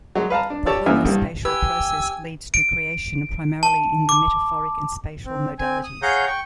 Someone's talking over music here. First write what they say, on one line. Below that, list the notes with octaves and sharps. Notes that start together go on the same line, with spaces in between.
The homospatial process leads to creation primarily in the metaphoric and spatial modalities.
F#3 G#3
B4 F5 A5 A#5
D4
G4 C#5 D5 A5 E6
F#2 E3 A#3 E5 G#5 F6
C2 G2
G4 B4 G#5 E6
D7
A5
D6
C4
C4 G#5
D#6
G#4 C#5 F5 F#5 A#5 G6
G5 C#6